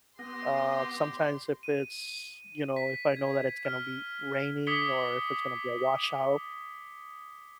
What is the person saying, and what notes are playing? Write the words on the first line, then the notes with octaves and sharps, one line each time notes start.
Uh, sometimes if it's, you know, if I know that it's gonna be raining or if it's gonna be a washout,
B3 G4 F#5 C6 D#6 A#6
D#7
B6
G#6
F6
D6 D#6 G#6 B6 C#7 G7